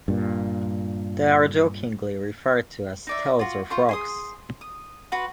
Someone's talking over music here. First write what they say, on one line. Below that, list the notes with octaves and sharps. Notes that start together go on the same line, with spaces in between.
They are jokingly referred to as “toads” or “frogs”.
G2 A#2
D#4 D5 E5
F4 F#4
F4 C5 C#6
G#4 C6 D#6
D#6
F#4 B4 F#5 C6